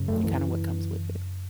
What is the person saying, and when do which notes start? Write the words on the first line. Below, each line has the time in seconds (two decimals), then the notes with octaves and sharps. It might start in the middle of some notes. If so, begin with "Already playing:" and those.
and kinda what comes with it.
Already playing: F#2 C#3
0.08 A3
0.16 F#3
0.24 E3